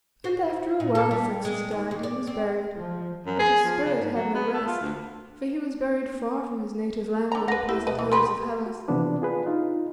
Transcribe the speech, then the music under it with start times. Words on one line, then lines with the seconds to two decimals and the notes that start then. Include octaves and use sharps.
And after awhile Phrixus died, and was buried, but his spirit had no rest; for he was buried far from his native land, and the pleasant hills of Hellas.
0.24 C5
0.80 A#2
0.95 A4
1.11 G3
1.45 G#3
1.71 D#2
1.91 D#2
2.03 D5
2.27 C4
2.75 F3
3.26 F#2
3.39 G#4
3.65 F3
3.85 C#3
3.99 G#2
4.13 F#3
4.34 B3
4.54 A3
4.67 F4
4.81 D2
7.32 D3 A#5
7.48 D2 B4 F#5 A#6
7.69 E4 G4 E5
7.87 B2 B4 D#5
7.99 E3
8.12 D#3 G4 B4 C6
8.66 F#4
8.88 C3 E3 F3 B3 D4 D5
9.22 F4 G#4 B4
9.46 D#4 F4